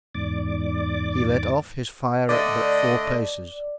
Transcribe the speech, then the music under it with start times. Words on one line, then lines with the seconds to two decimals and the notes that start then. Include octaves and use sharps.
He let off his fire at but four paces.
0.15 E2 G#2 D5 D6
2.29 D3 A3 D5 D#5